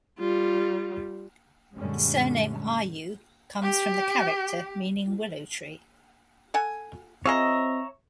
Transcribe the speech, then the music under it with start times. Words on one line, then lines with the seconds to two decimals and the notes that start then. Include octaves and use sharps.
The surname "Ryoo" comes from the character meaning willow tree.
0.19 G3 F4
1.74 F#2 A#2 D3 G3 G#3 C#4
3.63 G4
6.54 A4 F#5 G#5
7.26 C4 F4 G#4 C#5 D#5 E5 A#5